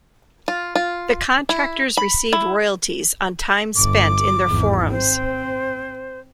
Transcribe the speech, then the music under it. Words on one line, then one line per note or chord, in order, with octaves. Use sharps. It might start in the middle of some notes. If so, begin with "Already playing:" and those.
The contractors received royalties on time spent in their forums.
F4
F4
E4
B5
E4
G1 D6
G#1 E2
C4 C5